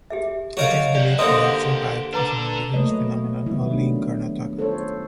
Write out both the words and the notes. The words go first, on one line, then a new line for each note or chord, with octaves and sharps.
It is believed to have survived as an indigenous phenomenon only in Karnataka.
G4 G#4 E5
F#3 G#4 A#4 C#5 D#5 F5
G4 D5 F#5
D3 A#3 C4 D#5 C6
D4 A4 B4 A#5 D6
F#3 A3 A#3 B4 C#5 D#5
D#3 F#3 G3 B3 E4
A3 D4
F4 A4 C5 C#5